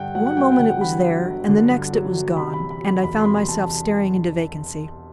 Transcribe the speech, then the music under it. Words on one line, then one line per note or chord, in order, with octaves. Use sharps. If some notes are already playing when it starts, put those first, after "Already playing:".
One moment it was there and the next it was gone, and I found myself staring into vacancy.
Already playing: G2 D3 F#5 G5
F#3 F#5
F#5
G1 G5
G5
D3 F#5
G2 B5
F#3
G1
D3
G2
F#3
G1
C3 B5
B5
E2
B5
F#3
B5
E1 B5
C6
C3 B5
E2 A5